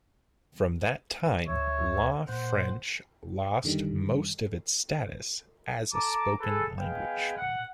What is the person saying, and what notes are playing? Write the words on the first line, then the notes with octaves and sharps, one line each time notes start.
From that time, Law French lost most of its status as a spoken language.
D2 C#5 E5
A#2 C5 F#5
F#2 D3 D#3 G3
A4 A5 A#5 D6
G#4 A4 B4
G#3 B3 G#4 B4 F5 G5
F#5